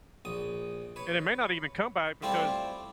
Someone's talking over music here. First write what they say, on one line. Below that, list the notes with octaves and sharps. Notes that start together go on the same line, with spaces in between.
And it may not even come back because
A#1 D#6
B4 C#5
G3 A3 C4 E4 F4 G4